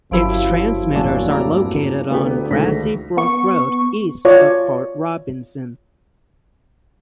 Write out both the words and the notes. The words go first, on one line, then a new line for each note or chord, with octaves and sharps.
Its transmitters are located on Grassy Brook Road east of Port Robinson.
G1 F#2 F3 F#3 E4 G4 D7
E2 G2 A#2 C#4 D4 A5
A3 C4 D5 A#5
D2 B3 G4
C#2 D#3 A3 A#6 B6
B3 C#6
F4 C#5 D5